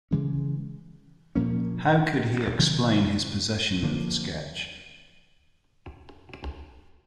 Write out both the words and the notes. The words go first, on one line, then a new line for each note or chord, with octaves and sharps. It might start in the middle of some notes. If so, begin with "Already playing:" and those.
How could he explain his possession of the sketch.
C#3 E3 G#3 C#4
A#2 F3 A#3 C#4
C3 D#3 F#3
D3 F3 A#3